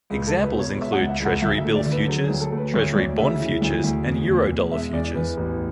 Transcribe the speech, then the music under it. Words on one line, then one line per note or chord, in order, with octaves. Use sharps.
Examples include Treasury-bill futures, Treasury-bond futures and Eurodollar futures.
C#2 G#4
A4
C#2
B4
B2
C#5
G#3
E5
F#5
C#2
E5
C#2
F#5
D2 E5
E5
A3
D5
D3
B4
F#3 G#4
G#4
D2
A4
A3
B4
D2 C#5
D2 D5
C#3 E5
E3
D2
D2
E2
E2
B2
G#3 E5
E2 D5
E2 B4
A1